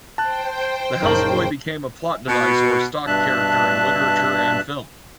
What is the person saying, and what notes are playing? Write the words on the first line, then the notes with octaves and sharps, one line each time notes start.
The houseboy became a plot device or stock character in literature and film.
C5 G5 A5 F#6
F#1 A#2 D#4 A#4 C#5 A5 F#7
B2
G2 B2 D4 E5 A5 F#6